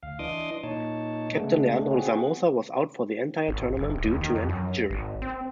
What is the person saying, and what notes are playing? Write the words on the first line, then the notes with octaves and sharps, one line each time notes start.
Captain Leandro Somoza was out for the entire tournament due to an injury.
D2 F5
E3 D4 D#5 C6 D6 D#6
A#2 D#4 C#5 A5
C#3 G#3 A3 B3 D4
B3 C4 F#4 G#4
G#1
G1
D#1
D#2
D#3
F2
F#2
G#1
C4